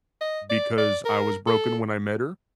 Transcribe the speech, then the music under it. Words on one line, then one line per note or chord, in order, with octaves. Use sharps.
because I was broken when I met her,
D#5
D5
D5
A#4
A4